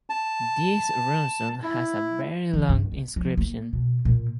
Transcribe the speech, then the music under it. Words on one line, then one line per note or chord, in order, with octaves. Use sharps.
This runestone has a very long inscription.
A5
E4
E3
G2
B3
F3
A#3
B2
A#2